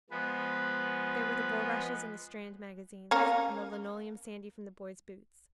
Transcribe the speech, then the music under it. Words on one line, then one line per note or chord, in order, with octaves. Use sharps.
There were the bulrushes and the Strand magazines; and the linoleum sandy from the boys' boots.
F3 G#3 B3 B4
A#3 C#4 A#4